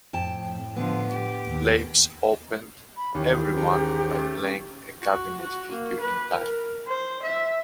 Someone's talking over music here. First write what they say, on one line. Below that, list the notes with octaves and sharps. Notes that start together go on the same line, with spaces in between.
Labes opened "Everyone" by playing a clavinet figure in time.
F2 A2 G5 A5
D3 F3 B3
G4
D#2
B5
D#2 E3 C#4 G4
E2
G#2 C#4
A3
F#4
F#4
A#3
B4
A#4
C5
E5